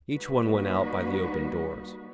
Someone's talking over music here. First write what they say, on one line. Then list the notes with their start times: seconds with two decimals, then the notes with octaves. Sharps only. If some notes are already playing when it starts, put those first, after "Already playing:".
Each one went out by the open doors.
0.14 G3 A#3 D#4 F#4 B4